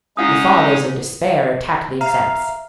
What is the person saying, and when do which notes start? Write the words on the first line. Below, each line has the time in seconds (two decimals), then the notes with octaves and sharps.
The fathers, in despair, attacked the exempts.
0.17 G#3 C#4 D#4 E4 F#5 D#6
2.01 E5 F5 A#5